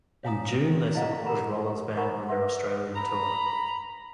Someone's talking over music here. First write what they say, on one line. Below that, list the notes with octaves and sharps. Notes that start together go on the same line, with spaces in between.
In June they supported Rollins Band on their Australian tour.
C#5 F5 G#5 A#5 D#6
E4 D5 D#5 F5 F#5 A#5
G4 A#4 F#5 A#5 B5
D#4 A#4 F#5 A#5 B5 C#6
B4 E5 F#5 C6
A#5 B5